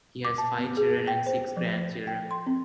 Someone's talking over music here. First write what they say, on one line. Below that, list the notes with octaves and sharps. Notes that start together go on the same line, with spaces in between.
He has five children and six grandchildren.
D6
A5
B3
G#4
G5
C5
F3
G5
C6
C4